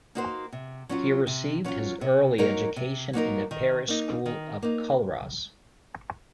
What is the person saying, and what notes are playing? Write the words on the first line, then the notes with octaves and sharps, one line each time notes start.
He received his early education in the parish school of Culross.
A#3 D#4 F#4 C5
C3
F#3 C#4 F4
C3
F#3 C#4 F4
C3
F#3 A#3 D#4 A#4
C3
F#3 A#3 D#4 A#4
D#3
A#3 D#4
D#3
A#3 D#4